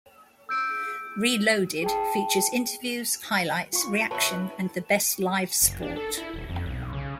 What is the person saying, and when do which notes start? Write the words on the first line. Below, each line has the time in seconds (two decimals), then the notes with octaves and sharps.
Reloaded features interviews, highlights, reaction and the best live sport.
0.49 E6 G6 D7
1.82 G#4 G5 A5
3.73 F4 C#6
4.11 F#3 E4 B4 A5
5.62 F#1
5.82 D4
5.96 A4
6.18 E4
6.34 D#1
6.49 F2
6.66 B1
6.93 C#3